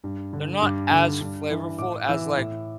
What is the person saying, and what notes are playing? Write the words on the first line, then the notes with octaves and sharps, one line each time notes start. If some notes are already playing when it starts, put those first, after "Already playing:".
they're not as flavorful as, like,
G2
D3
G2 D6
D3
G2
E3
A2 D6
E3 E6
A2